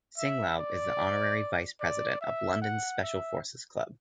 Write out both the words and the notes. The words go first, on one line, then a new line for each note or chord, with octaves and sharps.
Singlaub is the honorary vice president of London's Special Forces Club.
E5
D5
D5
E5
F#5
E5